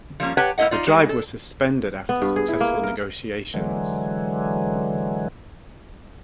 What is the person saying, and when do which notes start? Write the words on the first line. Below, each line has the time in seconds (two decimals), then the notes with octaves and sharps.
The drive was suspended after successful negotiations.
0.20 F3 G3 A#3 C#4
0.37 G4 B4 C#5 F#5 G5 A5
0.58 A2 A#3 E4 G#4 D#5 F#5
0.71 D#4 F4 D5
0.87 G3 G#3
1.09 A4
2.09 B3
2.22 G2
2.36 G#4
2.48 E4
2.60 A#3
2.83 A#4
3.54 D3 E3 F#3 G#3